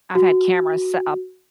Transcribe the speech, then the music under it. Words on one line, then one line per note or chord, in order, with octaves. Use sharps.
I've had cameras set up
F#4